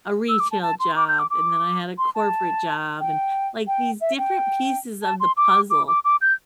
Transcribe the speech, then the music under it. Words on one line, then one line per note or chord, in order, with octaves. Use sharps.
a retail job, and then I had a corporate job, and, like, these different pieces of the puzzle,
E6
D6
A5
A5
C6
D6
G6
D6
D6
C6
A5
G5
G5
E5
G5
A5
C6
D6
D6
D6
D6
G6